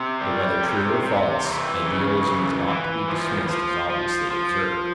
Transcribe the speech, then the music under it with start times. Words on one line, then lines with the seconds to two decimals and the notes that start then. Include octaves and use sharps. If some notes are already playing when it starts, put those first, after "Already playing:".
But whether true or false, idealism is not to be dismissed as obviously absurd.
Already playing: C3
0.21 G3
0.63 C3
1.03 C3
1.44 E3
1.85 C#3
2.26 E3
2.67 E3
3.08 F3
3.49 F3
3.89 F3
4.31 F3